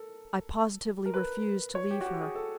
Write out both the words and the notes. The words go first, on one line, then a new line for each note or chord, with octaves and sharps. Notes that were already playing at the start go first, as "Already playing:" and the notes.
I positively refused to leave her.
Already playing: A4 A#4
A#4
B4
C#5
G4
F#4
G4
G#4
A4